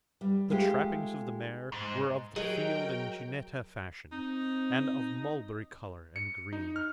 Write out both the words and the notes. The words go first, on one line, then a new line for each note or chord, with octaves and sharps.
The trappings of the mare were of the field and jineta fashion, and of mulberry colour and green.
G3
G#3 A3 D#4 F4 G4
G#2
F#3 G#4 A#4 D#5 G5
C4 D#4
C#7
D#4
F6